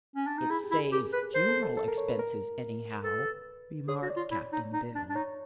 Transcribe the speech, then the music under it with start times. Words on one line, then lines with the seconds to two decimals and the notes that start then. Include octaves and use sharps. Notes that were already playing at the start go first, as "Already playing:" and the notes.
"It saves funeral expenses, anyhow," remarked Cap'n Bill.
0.16 C#4
0.27 D4
0.38 D#4
0.50 E4 G#4
0.64 G4
0.71 E4
0.78 G#4
0.92 G4 A#4
1.13 B4
1.34 A#4 C5
1.49 A4
1.63 A4
1.77 A4
1.88 A#4
1.98 C#5
2.08 B4
2.19 A#4
3.03 A4 B4
3.88 G#4 C#5
4.02 F#4
4.10 D5
4.16 F4
4.31 E4
4.52 D#4
4.73 D#4
4.95 D4
5.10 D4
5.15 D#4 C#5